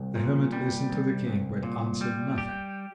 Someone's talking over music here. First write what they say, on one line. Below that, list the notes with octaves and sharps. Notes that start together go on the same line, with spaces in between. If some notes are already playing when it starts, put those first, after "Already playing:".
The hermit listened to the King, but answered nothing.
Already playing: C2
A#2
G3
C2
C2
A#2
G3
G4